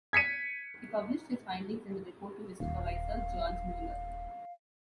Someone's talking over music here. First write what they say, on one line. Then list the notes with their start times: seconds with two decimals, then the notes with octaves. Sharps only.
He published his findings in a report to his supervisor, George Mueller.
0.13 G#6 B6 C#7 D#7
2.60 D#1 F5